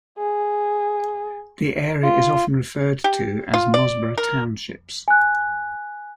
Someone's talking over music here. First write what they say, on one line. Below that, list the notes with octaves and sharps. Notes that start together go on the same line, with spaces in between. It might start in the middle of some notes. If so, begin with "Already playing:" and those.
The area is often referred to as Mosborough Townships.
G#4
F4
G4
F4
D5
A#4
G#5 F#6